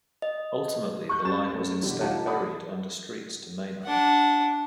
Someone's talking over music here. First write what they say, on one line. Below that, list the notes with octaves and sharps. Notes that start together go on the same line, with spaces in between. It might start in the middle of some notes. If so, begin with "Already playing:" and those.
Ultimately the line was instead buried under streets to Maynard.
D#5
C#6 F#6 G6
F#2 A6 E7
F#2 A3
B2 D3 E3 G3 G4
D#4 F4 G4 F#5 A5
A4 D5 F#5 B5 D#6
D4 F#5